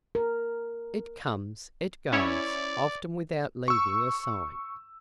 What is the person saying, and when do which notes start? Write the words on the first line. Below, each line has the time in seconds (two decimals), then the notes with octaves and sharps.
It comes, it goes, often without leaving a sign.
0.15 A#4
2.12 C#4 E4 C#5 D5
3.68 C#6 E6